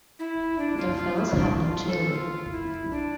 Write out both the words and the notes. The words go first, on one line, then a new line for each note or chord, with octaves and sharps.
The Fells have no children.
E4
D4
F4
F4
E4
D4
F4
A4
F4
E4
D4